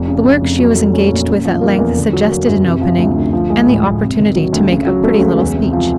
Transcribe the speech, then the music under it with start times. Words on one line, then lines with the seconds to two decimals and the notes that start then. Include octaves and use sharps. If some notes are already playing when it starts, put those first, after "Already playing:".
The work she was engaged with at length suggested an opening, and the opportunity to make a pretty little speech.
Already playing: F1 F2
0.08 C#3
0.25 F1
0.42 F1
0.59 F#3
0.76 A3
0.93 C#4
1.10 A#2
1.28 C#3
1.45 F3
1.61 A#3
1.79 E2
1.96 D3
2.13 F#3
2.30 A#3
2.47 F#2
2.65 C3
2.81 F3
2.98 D2
3.16 D2
3.33 F3
3.50 G#3
3.67 A2
3.84 A2
4.02 C3
4.19 D#3
4.36 F#3
4.53 D2
4.69 C#3
4.87 F#3
5.03 A3
5.21 C#2
5.38 E2
5.55 C3
5.73 F3